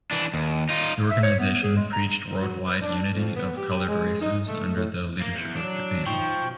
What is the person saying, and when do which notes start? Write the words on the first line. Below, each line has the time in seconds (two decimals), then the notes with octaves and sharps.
The organization preached worldwide unity of colored races under the leadership of Japan.
0.11 E3 D4
0.34 D#2
0.69 D#4 F4
1.11 E5
1.23 C#5
1.39 B3
1.63 G#4
1.76 G#3
1.93 A#5
2.41 F#3
2.66 B4
2.82 D4
3.13 F2
3.36 B3
3.57 G4
3.87 G#3
4.21 D#4
4.47 A3
4.76 A2
5.21 A#3
5.35 E2
5.55 F#3 D4
6.06 F3 D#4 G5 C#6
6.41 B2